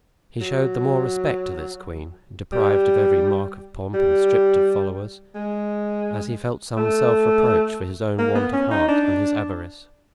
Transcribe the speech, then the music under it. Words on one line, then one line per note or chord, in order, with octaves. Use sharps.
He showed the more respect to this queen, deprived of every mark of pomp and stripped of followers, as he felt some self-reproach for his own want of heart and his avarice.
F#3
G3
G3
G#3
A3
A#3
B3
C#4
D#4
D4